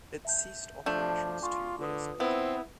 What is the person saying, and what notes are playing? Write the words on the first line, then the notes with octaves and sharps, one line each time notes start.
It ceased operations two years later.
E5 A5 G6
F3 A3 D4 G6
F4 G#5 C6 C#6
D3 F4 B4 D#6
B3 C4 E4